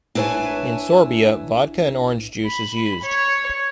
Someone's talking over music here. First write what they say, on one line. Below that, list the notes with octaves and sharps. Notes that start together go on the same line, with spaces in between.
In Sorbia, vodka and orange juice is used.
D4 E4 B4 C#5 G#5 A5
B5
C#5